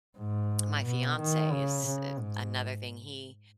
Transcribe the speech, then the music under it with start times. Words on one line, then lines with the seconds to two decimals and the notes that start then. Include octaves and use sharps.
my fiancé is i another thing. He
0.18 G#2
0.85 B2
1.20 D#3
1.52 C#3
1.86 C#3
2.19 G#2